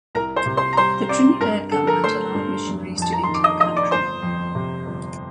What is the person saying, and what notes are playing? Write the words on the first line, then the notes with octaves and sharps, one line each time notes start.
The Trinidad government allowed missionaries to enter the country.
C2 A#4 A#5
C5 C6
C3
C5 C6
A#5
G3 C5 C6
C4 D5 D6
G2 A#4 A#5
D3 A4 A5
A#4 A#5
A3 C5 C6
G2
F1
F2 A5
A#5
D#3 C6
D6
D#5 D#6
F1 D#5 D#6
D5 D6
G1 C5 C6
F2
C3
G1